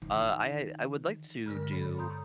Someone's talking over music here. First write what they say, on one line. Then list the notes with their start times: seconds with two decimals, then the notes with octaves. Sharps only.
uh, I I would like to do,
0.02 D#3
1.46 G2 D3 G#3 A#4
1.71 A4 C#5 B5
1.97 A#5 C6 D#6 G6